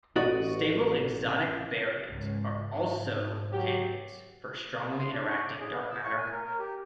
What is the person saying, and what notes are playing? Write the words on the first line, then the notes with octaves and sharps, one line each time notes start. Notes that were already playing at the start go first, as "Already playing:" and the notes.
Stable exotic baryons are also candidates for strongly interacting dark matter.
A1 F#4 D5 D#5
C#2 G#2
G#2
F#3 G4
C6
D4
C#6
D6
G#4
B3
E6
C#6
G#5
A#4
A#4
G4